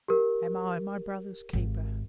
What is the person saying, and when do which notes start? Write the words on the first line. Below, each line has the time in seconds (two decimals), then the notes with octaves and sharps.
"Am I my brother's keeper?"
0.08 G4 A#4
1.53 G#1